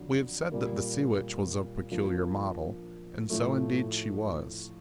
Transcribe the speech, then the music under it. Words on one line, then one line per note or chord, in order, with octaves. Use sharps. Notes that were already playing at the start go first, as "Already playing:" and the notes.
We have said that the "Sea Witch" was of peculiar model, and so indeed she was.
Already playing: F2 D3 F#3
A#2 G3 A#3
F3 A#3 D4
A2 F3 A3